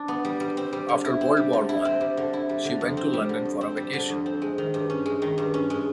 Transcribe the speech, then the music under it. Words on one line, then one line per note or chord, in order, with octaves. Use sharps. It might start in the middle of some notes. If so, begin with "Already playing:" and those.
After World War One, she went to London for a vacation.
Already playing: D4
B3
G3
G3
C4
G3
D3
E4
C4
G3
D3
E4
C4
G3
D3
E4
G3
D3
F2
C4
G3
D3
F2
C4
G3
D3
F2
C4
G#3
D#3
G2
C#4
G#3
D#3
G2
C#4
G#3